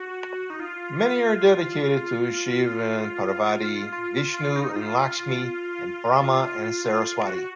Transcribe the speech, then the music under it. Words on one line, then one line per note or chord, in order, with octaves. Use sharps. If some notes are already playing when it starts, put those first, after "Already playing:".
Many are dedicated to Shiva and Parvati, Vishnu and Lakshmi and Brahma and Saraswati.
Already playing: F#4
D#4
F4
F4
F4
F4
D#4
F4
F4
F4
F#4